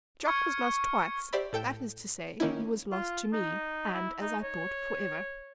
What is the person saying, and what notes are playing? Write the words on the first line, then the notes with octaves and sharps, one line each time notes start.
Jock was lost twice: that is to say, he was lost to me, and, as I thought, for ever.
C#6 F6 G#6 C#7
G4 C5 D5 E5 B5
A2 A4 G5 G6 E7
D#3 A#3 C#4 D#4 E4
F4
D#4
E4
D#4
C#5